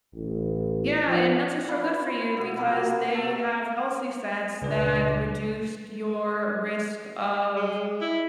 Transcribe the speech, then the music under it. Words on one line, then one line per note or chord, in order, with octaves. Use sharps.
Yeah, and nuts are so good for you because they have healthy fats that reduce your risk of
A1
F3
E4 F4 A4 B4
G#4
B2 E4
C3 F3 A#3 F#5
F#4
C3 A4
C#2 A#2 D4 G#4 B4
G#3
E4